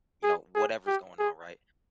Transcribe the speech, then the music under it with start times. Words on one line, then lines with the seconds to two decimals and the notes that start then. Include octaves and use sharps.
you know, whatever's going on, right?
0.23 G#4
0.55 G#4
0.86 G4
1.19 G#4